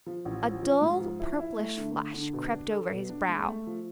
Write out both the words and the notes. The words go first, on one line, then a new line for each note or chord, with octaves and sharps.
A dull, purplish flush crept over his brow.
F3
A1
F3
F3
G#2
F3
E4
E4
A3
D3
D3
D3
B2
D4
A4
B2
D4
G#3
A3
F3